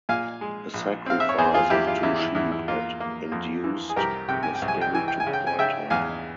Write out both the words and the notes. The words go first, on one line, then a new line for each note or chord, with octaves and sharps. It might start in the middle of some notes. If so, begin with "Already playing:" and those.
A sacrifice of two sheep had induced the spirit to quit her.
A#2 F5 G#5
G#3
A#1
C4 F5
E5
C#5
E2 G#4 C5
F4 G#4
E2 E4 G4
F4
E2 E4
E4
E2 E4
E4
A#3 F4
A#3
F2
E3
G#4
C2 G4 A#4
C3 G5
G#5
G5
C2
G#5
G5
E3 G#5
G5
G#5
C#3
G5
G#5
C#3 E5 G5
E2 F5 G#5